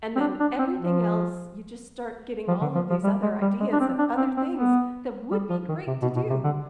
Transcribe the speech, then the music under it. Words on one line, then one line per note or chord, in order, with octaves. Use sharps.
and then everything else, you just start getting all of these other ideas of other things that would be great to do,
C4
D4
D4
C4
F3
F3
D3
F3
F3
G3
G#3
G3
G#3
D4
C4
D4
C4
C4
B3
G3
F3
D#3
C3
B2
B2
C3
D3